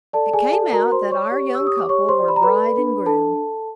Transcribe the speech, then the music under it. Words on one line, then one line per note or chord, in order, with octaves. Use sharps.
It came out that our young couple were bride and groom.
A4 D5 A5
G#4 G#5
D5
A4 A5
F#4 A#4 A#5
C5 C6
D5
C#5 C#6
G4
E6
G4
D#6
D6
G4 C#5 C#6
C5 C6
D5
B5
A#5
A4 B4 B5
D4
D4 A4 A5
A4